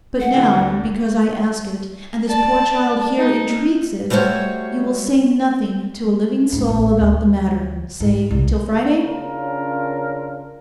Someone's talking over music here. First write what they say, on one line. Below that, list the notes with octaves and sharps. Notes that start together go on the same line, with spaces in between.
But now, because I ask it, and this poor child here entreats it, you will say nothing to a living soul about the matter, say, till Friday?
F#5
D3 E3 F#3
D2
D5 A5
D#4
G3 A3 F#4 C5 C#5
G#2
A1
D2
G#2
C2
C#3 C#4 D4 F4 A#4